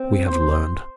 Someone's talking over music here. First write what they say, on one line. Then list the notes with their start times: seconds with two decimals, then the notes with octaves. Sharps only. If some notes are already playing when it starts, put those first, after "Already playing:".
We have learned.
Already playing: C4
0.27 C5